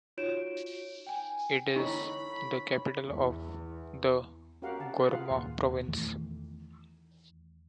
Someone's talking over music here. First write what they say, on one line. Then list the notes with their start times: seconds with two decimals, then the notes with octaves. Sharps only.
It is the capital of the Gourma province.
0.17 D#4 F4 F#4 C#5 D7 E7
1.07 G5 G#5
1.76 D3 E3 D#4 C#5 A#5 B5 C#6
3.07 E2
4.62 C#4 F#4 G4 A#4 F5 F#5
4.80 A5
4.97 B4
5.10 F4 G#4 F5 F#5
5.30 D#2 A#2
5.88 E2 D#3 E3 A3